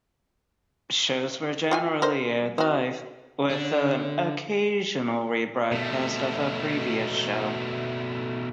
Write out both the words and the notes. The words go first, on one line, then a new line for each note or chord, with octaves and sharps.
Shows were generally aired live, with an occasional rebroadcast of a previous show.
F4 G5 G#5
A#4 C5
C4 F#4
D3 D4
B2 A3